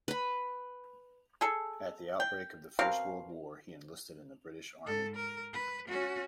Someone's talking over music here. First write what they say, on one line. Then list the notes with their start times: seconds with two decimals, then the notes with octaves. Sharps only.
At the outbreak of the First World War he enlisted in the British Army.
0.08 B4 B5
1.41 G#4 A4
2.20 G5
2.79 B2 C4 A#4 F5
4.85 G#2 A4
5.16 A#4
5.53 B4
5.88 C#4 F#4